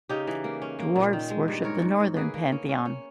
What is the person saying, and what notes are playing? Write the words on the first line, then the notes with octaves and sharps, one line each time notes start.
Dwarves worship the Northern Pantheon.
C#3 D#4 G4
E3
A#3
C#4
A#3
A#2
D#3
G#3
G2
G#2 A#4 C#5
G#2
G#2
A#3 G#4 B4
A#3
C#4
C#4
C#4